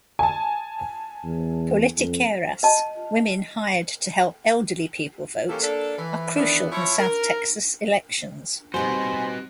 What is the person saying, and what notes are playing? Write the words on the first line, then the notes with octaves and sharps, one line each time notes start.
"Politiqueras", women hired to help elderly people vote, are crucial in South Texas elections.
G#5 A5
E2
F2
D#5 A5
E3 A#3 C#4 G4 A4
A#3 D4 A4
E3
D#3 E3 B3 D4
F3 E4 C#5
A#4
G3 C4 D#4 F#4 B4 C5 D#5 G#5